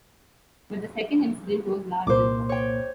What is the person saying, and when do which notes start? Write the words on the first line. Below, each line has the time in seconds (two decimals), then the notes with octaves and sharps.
But the second incident was larger.
2.07 C2 A#2 A#3 C5 D6
2.49 C#5 G5